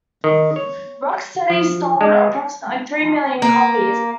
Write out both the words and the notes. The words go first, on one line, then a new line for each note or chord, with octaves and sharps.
"Rock Steady" sold approximately three million copies.
D#3
C#5
F3
G#3
A#3